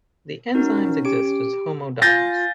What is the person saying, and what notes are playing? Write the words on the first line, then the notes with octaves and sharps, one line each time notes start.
The enzymes exist as homodimers.
C#4 D#4 F#4 A#4
G4 D7
F4 F5 G#5 G6 A6 A#6